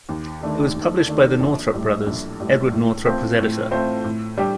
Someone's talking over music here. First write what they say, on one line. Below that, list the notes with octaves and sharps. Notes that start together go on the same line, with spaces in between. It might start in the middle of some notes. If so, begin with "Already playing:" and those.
It was published by the Northrup brothers - Edward Northrup was editor.
D#2
D#3 A3 D4 A4
D#2
D#3 A3 D4 A4
A#1
A2 G3
A#1
A2 G3
A2
A3 C4 F4 C5
A2
A3 C4 F4 C5
A2
G3 D4 G4